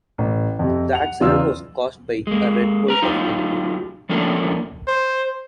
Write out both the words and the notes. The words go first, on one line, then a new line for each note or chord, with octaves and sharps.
The accident was caused by a red bolt of lightning.
A1
F2 C3
F#5 F7
E2 C#3 D#4 F4 D5 E6
G#3 A#3
B4 A#5
F#3 D#4 F4 G4
F3 A3 A#3 C#4 D4 A#4
C5